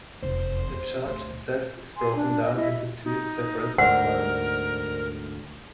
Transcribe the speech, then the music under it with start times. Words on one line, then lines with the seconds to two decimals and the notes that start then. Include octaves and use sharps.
The charge itself is broken down into two separate requirements.
0.22 F1 E2 C5
0.69 B3
1.06 D2
1.97 G#5 C6
2.15 D4
2.41 D#5
2.54 E4 D#5
3.04 D#4
3.78 D2 G#2 G#3 A#4 C5 D5 F#5